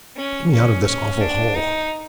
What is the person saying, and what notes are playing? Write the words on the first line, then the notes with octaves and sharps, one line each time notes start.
"Get me out of this awful hole."
C#4
C#4
C#4
D4
D#4